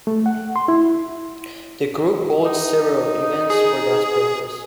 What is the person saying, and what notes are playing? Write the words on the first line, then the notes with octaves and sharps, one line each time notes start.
The group holds several events for that purpose.
A3
F#5
C6
E4
D#4
G#4